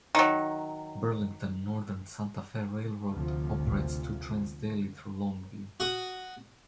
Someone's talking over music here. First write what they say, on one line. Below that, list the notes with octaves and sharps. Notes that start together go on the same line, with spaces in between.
Burlington Northern Santa Fe Railroad operates two trains daily through Longview.
D#3 F#3
D2 C3 F3
F#4 D#6